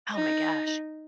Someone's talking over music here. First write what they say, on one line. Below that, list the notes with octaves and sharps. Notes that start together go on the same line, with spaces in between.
Oh my gosh.
D#4